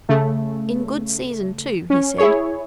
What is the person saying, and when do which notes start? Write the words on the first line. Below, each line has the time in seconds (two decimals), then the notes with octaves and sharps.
"In good season, too," he said.
0.09 C#3 A3
1.90 C#4
2.18 E4 G#4 C#5